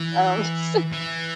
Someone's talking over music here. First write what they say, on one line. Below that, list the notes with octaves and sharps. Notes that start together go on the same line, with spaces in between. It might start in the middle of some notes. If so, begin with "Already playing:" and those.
um, so
Already playing: E3
E3